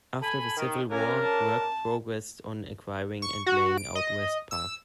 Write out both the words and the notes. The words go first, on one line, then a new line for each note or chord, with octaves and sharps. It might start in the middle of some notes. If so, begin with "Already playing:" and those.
After the Civil War, work progressed on acquiring and laying out West Park.
A4 G#5 B5
D#3
C#3 C#4 D4 A#4 G#5
A5
C#6
F#4
D7
D#5
E6